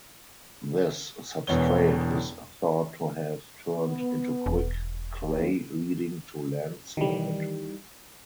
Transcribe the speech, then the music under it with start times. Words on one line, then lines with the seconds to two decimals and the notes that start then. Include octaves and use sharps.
This substrate is thought to have turned into quick clay leading to landslide.
1.47 E1 E2 E3 B3 C#5 G7
3.74 B3
4.46 E1
5.22 D#2
6.97 D#3 E3 G3